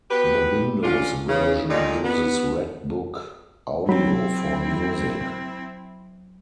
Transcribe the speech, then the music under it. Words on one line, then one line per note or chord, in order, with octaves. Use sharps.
The Windows version uses Red Book audio for music.
B3 F#4 G4 B4
C#4 D4 F4
C#3
A#2 D3 D#3 G3 D#4 D5
B3
F#3 C4 E4 B5